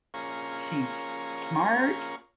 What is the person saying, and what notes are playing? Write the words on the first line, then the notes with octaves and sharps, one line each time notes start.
she's smart,
A#3 C#4 F4 G#4 A#4 C#5